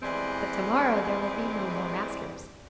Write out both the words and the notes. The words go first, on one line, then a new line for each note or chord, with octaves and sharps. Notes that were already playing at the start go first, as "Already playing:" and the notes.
But to-morrow, there will be no more maskers.
E2 E3 G3 G#3 C4 D5